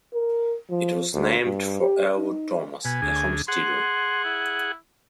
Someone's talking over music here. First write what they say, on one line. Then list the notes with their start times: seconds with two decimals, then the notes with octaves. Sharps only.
It was named for Elwood Thomas, a homesteader.
0.14 A#4
0.71 F3
1.14 D2
1.45 G2
1.81 G4
2.17 D#4
2.85 B2 G#5
3.02 D2 G#4
3.48 G#4 F#5 C6
4.25 E4